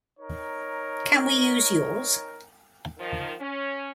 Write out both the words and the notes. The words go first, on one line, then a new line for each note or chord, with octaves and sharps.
Can we use yours?
D#4 A#4 C#5
D#3 F3
C#4